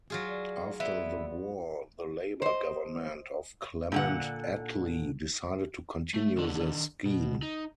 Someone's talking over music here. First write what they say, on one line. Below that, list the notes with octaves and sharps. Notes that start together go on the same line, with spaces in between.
After the War the Labour government of Clement Attlee decided to continue the scheme.
F#3 F4 F#4 G#4
D5
B3 E4 D5
C5 D#5
A#2 D3 F#5
A3
D#3 D4 D5
B2
D#4